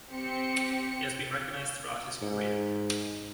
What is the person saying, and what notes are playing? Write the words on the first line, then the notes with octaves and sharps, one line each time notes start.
He has been recognized throughout his career.
C4 G4 C#7
G#2